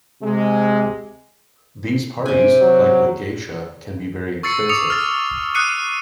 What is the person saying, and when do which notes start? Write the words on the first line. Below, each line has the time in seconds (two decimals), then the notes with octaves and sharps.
These parties, like with geisha, can be very expensive.
0.22 C3 G#3
2.26 C3 G#5
2.61 F#3
4.43 C#6 E6 A6 C7 C#7
4.69 D6 D#6 C#7 F7
4.90 F6 A6
5.55 D#6 F#6 C7 C#7 D#7